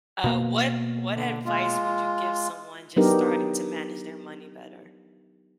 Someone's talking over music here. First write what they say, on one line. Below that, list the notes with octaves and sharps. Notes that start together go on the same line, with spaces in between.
Uh, what what advice would you give someone just starting to manage their money better?
B2 A#3
D3
G#3 F4
F#3 B3 D4 D#4 G4 A#4